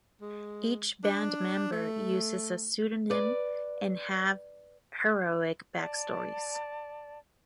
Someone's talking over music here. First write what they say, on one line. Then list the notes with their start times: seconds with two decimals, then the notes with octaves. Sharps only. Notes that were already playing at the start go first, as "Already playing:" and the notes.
Each band member uses a pseudonym and have heroic backstories.
0.22 G#3
1.04 D4
1.72 A3
3.10 B4 D5
5.76 D5 A5